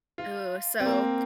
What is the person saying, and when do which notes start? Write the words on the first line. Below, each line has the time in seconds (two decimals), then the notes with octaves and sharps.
Ooh, so,
0.18 F4
0.80 C4
0.86 A#3